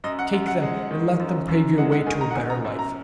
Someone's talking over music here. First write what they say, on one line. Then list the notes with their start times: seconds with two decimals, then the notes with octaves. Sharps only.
Take them and let them pave your way to a better life.
0.04 F#2 D#5
0.19 F#5
0.33 F#2
0.47 F#5
0.62 G#3
0.91 D#3
1.20 F#2
1.48 F#2
1.78 G#3 F#5
1.92 F#5
2.06 D#3 G#5
2.21 A#5
2.31 F#5
2.35 F#2 G#5
2.50 A#5
2.64 F#2
2.79 A#5